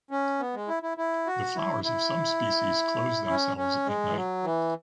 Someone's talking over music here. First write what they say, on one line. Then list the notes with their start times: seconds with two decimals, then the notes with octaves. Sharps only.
The flowers of some species close themselves at night.
0.11 C#4
0.40 B3
0.54 G#3
0.68 E4
0.83 E4
0.98 E4
1.27 F#4
1.55 E4
1.84 E4
3.29 C#4
3.57 C#4
3.86 G#3
4.09 E3
4.15 F#3
4.44 E3